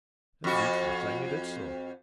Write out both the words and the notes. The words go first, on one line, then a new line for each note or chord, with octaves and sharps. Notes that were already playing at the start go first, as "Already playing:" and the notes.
Indeed, for a time, he did so.
F2 F#4